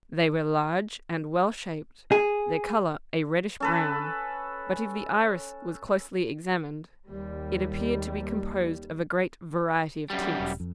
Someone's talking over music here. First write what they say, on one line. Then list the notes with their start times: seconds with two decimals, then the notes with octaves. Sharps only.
They were large and well shaped; their colour a reddish brown; but if the iris was closely examined, it appeared to be composed of a great variety of tints.
2.12 G#4
3.60 C#4 A4 B4
7.07 D#2 G3
10.10 F#2 G3
10.40 E1
10.60 F2